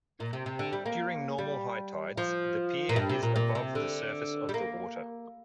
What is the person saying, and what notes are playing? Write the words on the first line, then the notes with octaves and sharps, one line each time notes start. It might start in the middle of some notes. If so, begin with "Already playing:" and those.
During normal high tides the pier is above the surface of the water.
A#2
C3
C3
D3
G3
A#3
G3
F3
A#2
G2
C3
A#2
A#2
C3
D3
G3
A#3